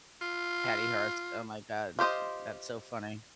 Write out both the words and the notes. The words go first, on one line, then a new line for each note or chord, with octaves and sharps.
Patty Hearst, oh my God. That's so funny.
F4
F4 G4 C5 D#5